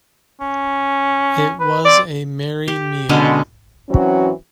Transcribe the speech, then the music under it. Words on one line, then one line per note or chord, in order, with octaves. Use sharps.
It was a merry meal.
C#4
B4
C4 D5
G4
B2 D3 G#3 C#4
E3 F#3 C4 C#4 F#4